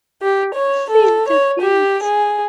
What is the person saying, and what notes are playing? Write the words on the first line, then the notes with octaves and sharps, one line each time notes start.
Feel the beat!
G4
C#5
A4
C#5
G4
G#4